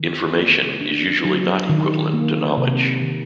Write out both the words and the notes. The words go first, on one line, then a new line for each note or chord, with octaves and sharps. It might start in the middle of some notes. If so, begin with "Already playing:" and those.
"Information" is usually not equivalent to "knowledge".
Already playing: D#3
A#3
D4
F#3
D#3
A#3
C3
D#3